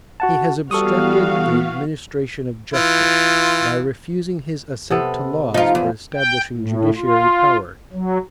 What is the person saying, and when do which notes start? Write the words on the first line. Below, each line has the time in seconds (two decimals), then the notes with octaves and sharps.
He has obstructed the Administration of Justice, by refusing his Assent to Laws for establishing Judiciary Powers.
0.20 F#4 F#5 A5
0.71 E3 G3 B3 F#4 A4 F5 C#6 D#6
2.74 E3 F4
4.90 C3 B3 A4
5.54 F3 D#4 F4
5.75 E2
6.14 G5
6.57 A2
6.97 F4
7.93 F#3